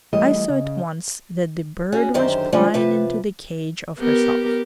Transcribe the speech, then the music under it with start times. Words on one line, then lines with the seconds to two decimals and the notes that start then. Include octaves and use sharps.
I saw at once that the bird was flying into the cage of herself.
0.13 E3 G3 A3 D#5
0.49 C#3
1.92 C#4 F#4 G#4
2.14 F#2 D3 D#3 G4 C5 E5
2.52 D3 F3 G#3 A3 C4 C#4
2.74 C3 F3 B4 A5
3.98 B3 G4 A#4